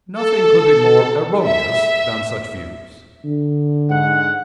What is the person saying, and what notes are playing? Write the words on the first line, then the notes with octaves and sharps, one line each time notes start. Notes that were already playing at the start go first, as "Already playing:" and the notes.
Nothing could be more erroneous than such views.
A4
E5
D3
G#2 F#5